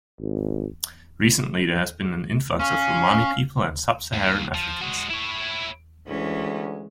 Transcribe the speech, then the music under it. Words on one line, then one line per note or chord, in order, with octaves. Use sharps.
Recently, there has been an influx of Romani people and Sub-Saharan Africans.
G#1
C#4 F5
D#2
F3
G#3 F#4
E4 C#5
D2 E3 G#3 C#4